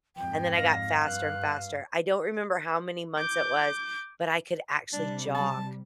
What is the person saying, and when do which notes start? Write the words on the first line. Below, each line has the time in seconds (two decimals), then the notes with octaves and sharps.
and then I got faster and faster. I don't remember how many months it was, but I could actually jog
0.17 F2 G#2 G5
0.56 F5 A#6
1.04 G2 F#6
3.18 D6 G6
4.93 C3 G3 D4
5.34 A5